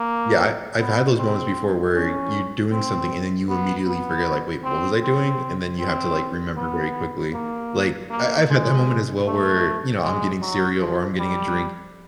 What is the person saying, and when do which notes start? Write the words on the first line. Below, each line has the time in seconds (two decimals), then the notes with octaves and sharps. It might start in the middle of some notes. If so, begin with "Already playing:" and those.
Yeah, I I've had those moments before where you doing something and then you immediately forget, like, "Wait, what was I doing?" And then you have to, like, remember very quickly. Like, I I've had that moment as well where, you know, I'm getting cereal or I'm getting a drink,
Already playing: A#3
0.79 B3
1.18 C4
1.95 C#4
2.72 C4
3.49 B3
3.87 B3
4.64 C4
5.02 C4
5.79 C4
6.56 B3
7.33 A#3
8.10 A#3
8.49 G#3
9.26 A3
10.03 G#3
10.41 F#3
10.80 F3
11.18 G3